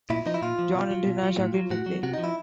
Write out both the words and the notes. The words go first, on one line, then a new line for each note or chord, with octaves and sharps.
John Henry Nash agreed with me.
A#2 E4
F3 D#4
E4
A#2 F4
F3
B2
F#3
B2
F#3
A2
F#3
A2 F#4
F#3
C3 F#4
F3 D#4
E4